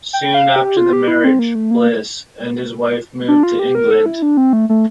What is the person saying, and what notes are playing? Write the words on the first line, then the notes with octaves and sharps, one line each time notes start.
Soon after the marriage, Bliss and his wife moved to England.
G5
F5
G4
F4
G4
E4
C4
A#3
A3
A#3
D4
F4
G4
A#4
A4
E4
D4
C4
A3
A3